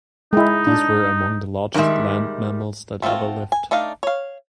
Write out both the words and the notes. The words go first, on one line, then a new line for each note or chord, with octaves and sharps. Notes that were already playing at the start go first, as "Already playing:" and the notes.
These were amoung the largest land mammals that ever lived.
G#3 D#4 E4
D4
F#2 D#3 G3 G#3 E5
A3 C4 D4 F4 F#4
G#5
A3 D4 D#4 F5
C#5 F5